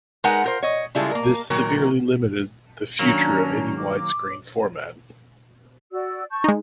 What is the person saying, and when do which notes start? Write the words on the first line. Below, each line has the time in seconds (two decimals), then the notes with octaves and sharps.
This severely limited the future of any widescreen format.
0.24 G#3 D#4 A#4 B4 F#5
0.44 F4 A#4 C5
0.62 C#5 D#5
0.95 C#3 G3 G#3 E4 F4 A4
1.11 A#3 A#4
1.50 A#2 D#3 F#3 A#4
2.99 D#3 F#3 A#3 C#4 D4 A#5
3.78 D6
5.92 F#4 D5 E6
6.30 A5 C#6 G6
6.44 G#3 D#4